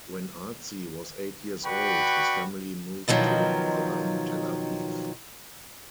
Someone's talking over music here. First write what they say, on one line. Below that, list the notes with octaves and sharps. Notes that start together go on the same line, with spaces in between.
When Artzi was eight years old, his family moved to northern Tel Aviv.
F#4 B4 D5 G5 B5 C#6
B2 D#3 F3 F#3